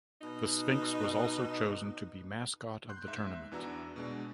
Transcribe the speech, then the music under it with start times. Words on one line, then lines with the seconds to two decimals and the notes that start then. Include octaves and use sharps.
The sphinx was also chosen to be mascot of the tournament.
0.22 B2 D#4
2.89 C6 F#6 G6
3.07 G#2 E5
3.52 E2 E3 D4 F#4 A#5 E6
3.96 B2 G#3 D4